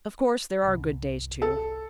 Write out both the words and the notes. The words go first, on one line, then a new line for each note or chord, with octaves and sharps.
Of course there are good days, too.
G1 C2
A4